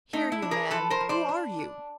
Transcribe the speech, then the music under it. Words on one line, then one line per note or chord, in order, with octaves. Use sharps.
Here, you man, who are you?
A3 D#4
E4
D4
G#4 A#4
F3 A4 B4
A#4 C5
F3
C5 D5
D4
D4